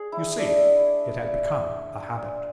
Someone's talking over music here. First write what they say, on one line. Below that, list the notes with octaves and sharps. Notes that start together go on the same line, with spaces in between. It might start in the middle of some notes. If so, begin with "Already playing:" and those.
You see, it had become a habit.
Already playing: G#4
E4
D4